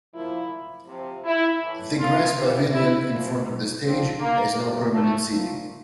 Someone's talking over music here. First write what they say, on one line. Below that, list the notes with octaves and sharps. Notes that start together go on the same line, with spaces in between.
The grass pavilion in front of the stage has no permanent seating.
A#2 F3 E4
C3 F3
E4
A2 E3
F4
C3 E3
E4
A#2 F3
A#2 F3 C4
A#3
C3 F3
A3
A#2 F3